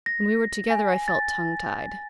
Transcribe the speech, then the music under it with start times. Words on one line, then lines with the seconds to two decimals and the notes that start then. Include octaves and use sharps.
When we were together I felt tongue-tied.
0.06 A#6
0.70 G#5
1.08 A6